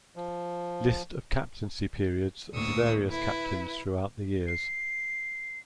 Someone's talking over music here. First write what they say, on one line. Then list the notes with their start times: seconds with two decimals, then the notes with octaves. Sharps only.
List of captaincy periods of the various captains throughout the years.
0.16 F3
2.54 D2 A2 A#3 C#6 D#6 E6
3.09 E4 B4
4.47 C7